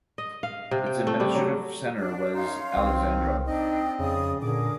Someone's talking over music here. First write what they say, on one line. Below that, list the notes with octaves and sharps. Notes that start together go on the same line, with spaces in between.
Its administrative centre was Alexandrov.
D#5
F5
C3
G5
A3
G3
F#3
D4
F#2 D#4 C#5 F5 C6
C2 D#3 C4
C4 D4 D#4 D#5 G5 D#6
F2 C#3 D5 D#6
A#2 D3 G#4 A#4 D6 D#6